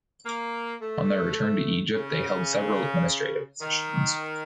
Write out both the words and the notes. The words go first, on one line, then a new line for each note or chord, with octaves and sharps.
On their return to Egypt they held several administrative positions.
A#3
A3
C#3
D#3